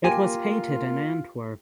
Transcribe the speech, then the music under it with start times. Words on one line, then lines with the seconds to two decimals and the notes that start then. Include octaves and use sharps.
It was painted in Antwerp.
0.04 A#3 F4 G4 A#4 G#5 C6